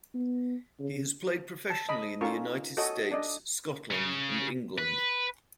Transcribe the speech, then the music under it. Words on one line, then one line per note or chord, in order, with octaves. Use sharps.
He has played professionally in the United States, Scotland, and England.
B3
C#3
A5
D#5 B5 D#6
C#4 D#4 F4 A4 A#4 C#6
F#4 A4 C#5 D#5
D4 D5 D#5
C#3
B4